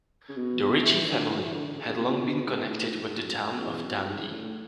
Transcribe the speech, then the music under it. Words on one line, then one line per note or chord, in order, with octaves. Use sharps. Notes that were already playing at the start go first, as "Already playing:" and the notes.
The Ritchie family had long been connected with the town of Dundee.
C#3
B2
B2
E3
D3
E3
F#3
E3
D3
D3
C#3
C#3
B2
B2
G#2
A2
G#2
G#2
F#2
F#2
E2
F#2
G#2
G#2
A2